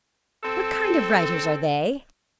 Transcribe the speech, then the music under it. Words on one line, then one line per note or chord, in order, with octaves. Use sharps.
What kind of writers are they?'
C4 A4